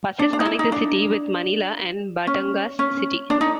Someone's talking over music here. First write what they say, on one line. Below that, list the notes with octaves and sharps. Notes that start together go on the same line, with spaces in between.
Buses connect the city with Manila and Batangas City.
D4
D4
D#4
E4
D#4
D4
C#4
C#4
D4
D#4